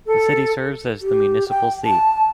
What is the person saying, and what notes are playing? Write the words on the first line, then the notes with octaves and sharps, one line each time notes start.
The city serves as the municipal seat.
A4
G4
G5
A5